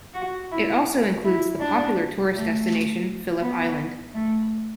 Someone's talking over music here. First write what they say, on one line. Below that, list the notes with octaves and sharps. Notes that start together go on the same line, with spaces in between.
It also includes the popular tourist destination, Phillip Island.
F#4
E4
E4
D4
A3
B3
A3